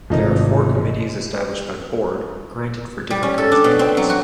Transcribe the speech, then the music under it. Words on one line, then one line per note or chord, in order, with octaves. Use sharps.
There are four committees established by the Board, granted for different kinds of duties.
G#1 C3 E3 F3 A3 D#4
G3
C#4
A4
D4
B2
C4
F#3
F#4